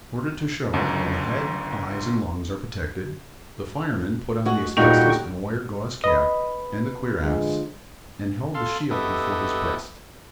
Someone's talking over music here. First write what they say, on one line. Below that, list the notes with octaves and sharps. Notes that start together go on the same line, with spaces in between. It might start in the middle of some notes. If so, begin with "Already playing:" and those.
In order to show how the head, eyes, and lungs are protected, the fireman put on the asbestos and wire-gauze cap, and the cuirass, and held the shield before his breast.
G1 C#2 F#2
G#3 F#4
D#1 A#2 G3 D#4 F#4 G5 C#6 F7
B4 D#5 B5
D3 F3 G#3
A4 F5 C6
B3 E4 G4 A4 D#5